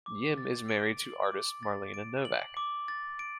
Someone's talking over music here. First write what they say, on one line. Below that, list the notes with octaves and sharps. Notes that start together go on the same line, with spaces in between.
Yim is married to artist Marlena Novak.
D6
A6
D7
F#7
D6
A6
D7
F#7
D6
A6
D7